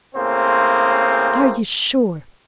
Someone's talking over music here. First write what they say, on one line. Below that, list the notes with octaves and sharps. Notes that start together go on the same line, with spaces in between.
Are you sure?
A2 C#3 A#3 C4 G#4 C5